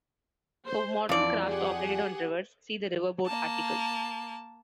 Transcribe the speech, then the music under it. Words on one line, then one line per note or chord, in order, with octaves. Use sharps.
For modern craft operated on rivers, see the Riverboat article.
C5
F2 E3 D5
G4 G#4 F#5
A#3 A5